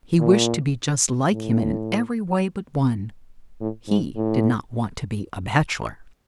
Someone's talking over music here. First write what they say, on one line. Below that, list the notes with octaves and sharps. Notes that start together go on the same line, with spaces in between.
He wished to be just like him in every way but one; he did not want to be a bachelor.
A#2
A2
A2
G#2
A2